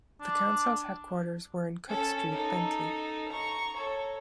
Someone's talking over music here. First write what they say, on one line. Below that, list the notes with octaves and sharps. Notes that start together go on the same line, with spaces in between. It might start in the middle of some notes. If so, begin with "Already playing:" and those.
The council's headquarters were in Cooke Street, Bentley.
D4
C#4 A4
D#4 A4
A#5 C#6
A4 C#5